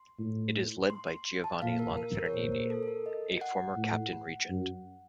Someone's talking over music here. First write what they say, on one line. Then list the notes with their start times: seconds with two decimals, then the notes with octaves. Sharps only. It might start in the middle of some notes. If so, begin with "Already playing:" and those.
It is led by Giovanni Lonfernini, a former Captain-Regent.
Already playing: C6
0.19 A2
0.90 C6
1.08 C6
1.44 A5
1.62 A#2 F5
1.79 A#4
1.97 A#4
2.15 A#4
2.26 C#5
2.34 A#2 C5
2.52 A#4
2.70 A4
2.83 A4
2.88 A#4
3.06 D#5
3.41 F#5
3.77 A2
4.49 F#2